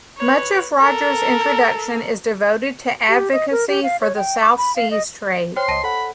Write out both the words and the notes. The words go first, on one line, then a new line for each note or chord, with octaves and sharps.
Much of Rogers' introduction is devoted to advocacy for the South Seas trade.
B4 C#5
A4 A#4
G4
D#5
A#4
G4
F5
C#5
G5
D6
B5
F5
D#5
C5 C#5 G5 C6 F6
C#2 D#5 A5 A#6 D#7
A4 F#5 B5